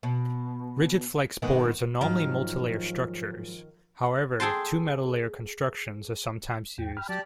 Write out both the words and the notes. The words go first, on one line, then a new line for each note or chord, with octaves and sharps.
Rigid-flex boards are normally multilayer structures; however, two metal layer constructions are sometimes used.
B2
G#2 D#3 B3
G#2 D#3 F3 F#3 F5
G#4 A4 G5 A5 C6
E2 G5
G5 B5 F6
F#3 G4 D5 A5